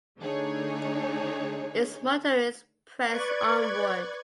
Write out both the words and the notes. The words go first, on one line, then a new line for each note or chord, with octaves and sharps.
Its motto is Press Onward.
D3 A3 D4 D#4 G#4 C#5
B4 D5 C#6 F#6 G#6